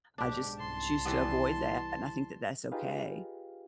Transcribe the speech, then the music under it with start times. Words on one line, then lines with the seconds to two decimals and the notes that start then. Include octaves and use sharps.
I just choose to avoid that, and I think that that's okay.
0.18 B1 G#2 D4 G4
0.59 C2 A5 C6
1.05 E3 G3 B3
2.72 D#4 F4 G4 G#4 B4 F5